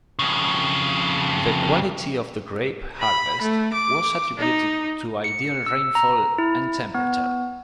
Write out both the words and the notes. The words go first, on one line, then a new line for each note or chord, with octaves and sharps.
The quality of the grape harvest was attributed to ideal rainfall and temperature.
F2 C#3
B5
A3
D6
D#4
C#7
E6
A#5
E4
B3